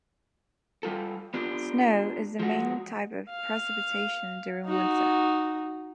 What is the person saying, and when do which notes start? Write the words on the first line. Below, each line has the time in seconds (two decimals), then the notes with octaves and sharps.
Snow is the main type of precipitation during winter.
0.83 G3 F4 A4
1.34 B3 D4 F4 G4
2.39 F3 G#3 F#4
3.29 F5
4.66 D#4 F#4